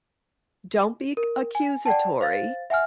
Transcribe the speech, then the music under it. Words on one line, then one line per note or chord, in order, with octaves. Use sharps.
don't be c accusatory,
A#4
G#5
D5 F#5 G5 A5
C5 F5 A6
E5 F#5 G#5 F6